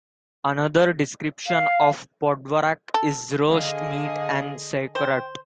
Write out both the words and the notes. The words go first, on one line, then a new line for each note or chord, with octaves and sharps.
Another description of podvarak is roast meat en sauerkraut.
F5
A4
D3 G#4 D#5 F5
C5 G5